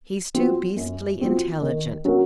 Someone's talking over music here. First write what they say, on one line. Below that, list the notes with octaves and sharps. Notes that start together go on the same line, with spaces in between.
He's too beastly intelligent.
F3 C4 F#4
F#2
F3 C4 F#4
D#3
F#3 C#4 F#4 A#4